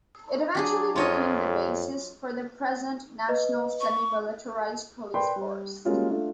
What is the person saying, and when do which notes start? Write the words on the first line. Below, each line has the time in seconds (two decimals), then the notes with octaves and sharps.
It eventually became the basis for the present national semi-militarised police force.
0.55 F#3 D4 G#4
0.96 F2 F4 C#5 D#5
3.29 B4 D#5
3.81 C#6
5.14 A#4 B4 D5 G5 B5 C6
5.36 G3
5.85 G3 G#3 A#3 C#4 F4 F#4
6.09 A3 D4 F4